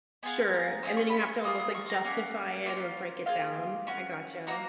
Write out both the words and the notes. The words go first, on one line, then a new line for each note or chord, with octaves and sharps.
Sure and then you have to almost, like, justify it or break it down. I gotcha,
B3 F4 G#4 G#5
A#5
C#4 F4 G#4 D#6
C#6
B5
C#6
A#3 F4 G#4 D#6
D#6
C#6
A#5
A#3 C#4 F#4 G#5
A#3 C#4 F4
A#3 F4 G#4 F5
C#4 F#4 C#6
A#3 D#4 F#4 A#5